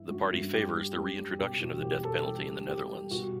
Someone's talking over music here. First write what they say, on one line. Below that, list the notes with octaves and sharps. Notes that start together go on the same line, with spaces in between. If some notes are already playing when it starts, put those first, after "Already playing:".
The party favours the re-introduction of the death penalty in the Netherlands.
Already playing: G2 E3 E4
G2 F#4
G2
G3 G4
G3
G2 G4
G3
B2 G4
E2 F#4
B2 G4
E2 A4
G3 G4
G3
G3 G4
G3
B2 F#4